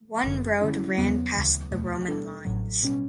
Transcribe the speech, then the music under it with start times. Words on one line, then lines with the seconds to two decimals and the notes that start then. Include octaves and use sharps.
One road ran past the Roman lines.
0.23 G1 F#2 D3
0.60 D3 G3 C#4 E4
0.98 E2 C#3 F#3 B3 F#4
1.35 D2 C#3 E3
1.71 E2 B2 A3
2.08 E2 B2 G3 D4 A4
2.45 A1 A2 F#3
2.82 B2 G3 C#4